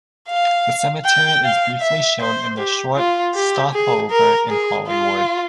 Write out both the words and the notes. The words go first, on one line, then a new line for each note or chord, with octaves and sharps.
The cemetery is briefly shown in the short "Stopover in Hollywood".
F5
G5
F5
E5
C5
G4
F4
G4
G#4
A#4
G#4
F4